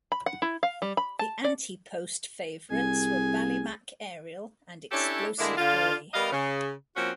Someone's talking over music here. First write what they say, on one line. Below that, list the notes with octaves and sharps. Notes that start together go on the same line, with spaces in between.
The ante post favourites were Ballymac Ariel and Explosive Boy.
B5
F#5
E4
F5
G3
B5
A5
D5
C2 G#4 G#5
C#4 D4 E4 G4 A4 C#5
D3 G#3 A#3 D4 E4
D3 F4
G3 B3 A#4 D#5 F5
C#3
F3 A#3 C4 C#4 F#4